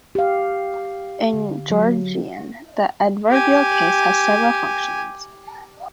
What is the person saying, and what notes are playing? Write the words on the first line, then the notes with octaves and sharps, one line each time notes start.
In Georgian, the adverbial case has several functions.
G4 F5
D3
F#3
G4 G#5